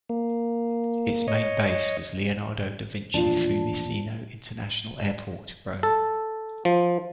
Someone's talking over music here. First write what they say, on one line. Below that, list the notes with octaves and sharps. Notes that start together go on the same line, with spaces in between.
Its main base was Leonardo da Vinci-Fiumicino International Airport, Rome.
A#3
C#5 D#5
E2 A#2 F3 D4 F4 A5
A4
F3